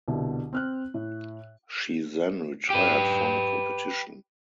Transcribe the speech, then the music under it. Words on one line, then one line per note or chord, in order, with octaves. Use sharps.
She then retired from competition.
C2 B2 D3
C4 F6 F#6
A2
G4 B4